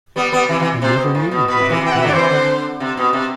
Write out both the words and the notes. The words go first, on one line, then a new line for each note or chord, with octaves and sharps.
I never knew he had come!
G3 B3
G3 B3
C3 E3
C3 E3
C3 C5
B2
A2
B2
B2 B4
C3
C3 E3
C3 E3
G5
C3 E3 F#5
E5
D3 F#3
D5
C3 E3 C5
D3
C3
B2
C3